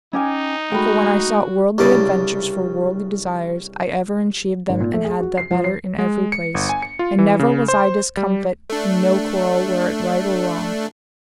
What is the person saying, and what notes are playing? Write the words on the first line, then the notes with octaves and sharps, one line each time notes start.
For when I sought worldly adventures for worldly desires, I ever enchieved them and had the better in every place, and never was I discomfit in no quarrel, were it right or wrong.
C#4 D#4 G4 G#5
G#3 A3 F#4 G5 B5
C2 G2 C#3 D5
G#1
A#2
A3
G#4
F#4
C7
F3
C7
G#3
C#7
G1
G#5
C#7
F4
E3
C#3
C5
G3
A3 D4